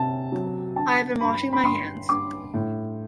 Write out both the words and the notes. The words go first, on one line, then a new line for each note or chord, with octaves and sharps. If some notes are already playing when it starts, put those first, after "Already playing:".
I have been washing my hands.
Already playing: C3 A5
F#3
D3 A5
G2 B5
B5
G2 C6
G2 D6
A2